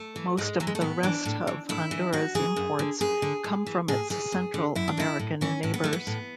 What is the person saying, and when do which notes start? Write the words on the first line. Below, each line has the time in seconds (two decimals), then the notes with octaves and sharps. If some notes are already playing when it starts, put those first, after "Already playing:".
Most of the rest of Honduras's imports come from its Central American neighbors.
Already playing: A3
0.16 E3
0.37 G#2 G#3
0.60 E3 F#3
0.67 G#3
0.75 A3
0.81 A2 B3
1.03 E3 D4
1.25 A2
1.47 E3
1.69 A2 E4
1.91 E3
2.13 A2 F#4
2.35 E3 G#4
2.56 F#2
2.79 D3
3.01 F#2 G#4
3.22 D3
3.44 A2
3.66 E3
3.88 A2 G#4
4.10 E3 G#4
4.32 F#2
4.54 D3
4.75 F#2 E4
4.88 D4
4.97 D3 E4
5.19 A2
5.41 E3 C#4
5.63 A2 C#4
5.74 B3
5.84 E3 A3
5.93 B3
6.07 A2